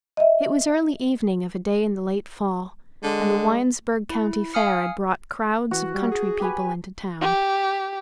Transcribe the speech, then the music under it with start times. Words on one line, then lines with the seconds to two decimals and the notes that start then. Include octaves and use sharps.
It was early evening of a day in the late fall and the Winesburg County Fair had brought crowds of country people into town.
0.17 D#5 E5
3.03 D3 G#3
4.10 E4
4.54 F5 G#5 D#6 F6 C#7
5.71 E3 F#4
5.94 G3
6.11 G#4
6.40 G4 B4 G#5
7.21 G4